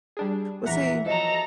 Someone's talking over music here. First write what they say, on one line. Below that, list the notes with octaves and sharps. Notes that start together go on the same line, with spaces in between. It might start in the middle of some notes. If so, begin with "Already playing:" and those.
well, see,
G3 D4 G#4
A#1 E2 E5 F#5 A#5
F3 F#3 A4 D#5 A#5